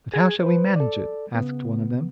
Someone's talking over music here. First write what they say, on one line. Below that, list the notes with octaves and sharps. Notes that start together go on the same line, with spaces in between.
'But how shall we manage it,' asked one of them.
G#4 G#6
B4 C5
A4 D5
C#3 B3